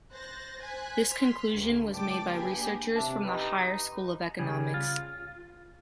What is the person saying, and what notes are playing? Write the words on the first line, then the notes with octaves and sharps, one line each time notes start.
This conclusion was made by researches from the Higher School of Economics.
C5 F#6 A6 A#6
C5 G#5 F#6 G#6 B6
C6 F6 B6
D2 G2
C#2 D5 G5 A5 D6
A#3 D4 G4 G#4 B4
C3 D4 E5 A5
D#4 G4 B4 D#5
C#3 G3 G#4
F4